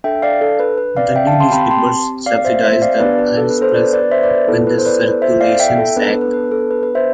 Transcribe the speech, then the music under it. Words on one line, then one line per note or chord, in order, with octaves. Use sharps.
The new newspapers subsidised "The Irish Press" when its circulation sagged.
D4 A4 E5 G5
D5 F5
A4
B4
B4
D5 F5
E5 G5
F5 A5
A5 C6
C4 G4 G5 B5
A5 C6
D5 F5
C5 E5
C5 E5
D5 F5
B3 D4 G4 B4 D5
B4
A4
B4
A4 C5
B4 D5
B4 D5
C5 E5
B4 D5
B4
B3 E4 A4
B4
C5
B4 D5
C5 E5
D5 F5
E5 G5
A4
B3 D4 A4 B4
B4
B4
B4
A4
B4
B4
C5 E5